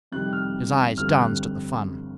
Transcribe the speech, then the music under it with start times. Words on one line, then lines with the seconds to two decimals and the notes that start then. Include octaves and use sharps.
His eyes danced at the fun.
0.12 F2 C3 D#3 G3 F#6
0.33 F6
0.98 G1 F2 D3 G3 C4 F6
1.08 F#6